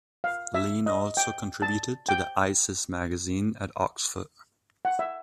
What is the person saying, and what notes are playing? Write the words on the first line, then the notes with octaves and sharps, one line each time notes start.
Lean also contributed to the "Isis" magazine at Oxford.
F5
E5
D#5
G5
A5
G5
F#5
E5